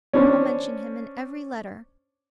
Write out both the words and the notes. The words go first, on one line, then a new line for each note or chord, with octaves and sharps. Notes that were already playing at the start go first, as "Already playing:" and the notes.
I'll mention him in every letter.'
C#4 D4 C5